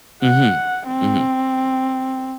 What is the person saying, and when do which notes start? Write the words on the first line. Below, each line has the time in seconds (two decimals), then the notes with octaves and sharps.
Mhm. Mhm.
0.24 F#5
0.87 C4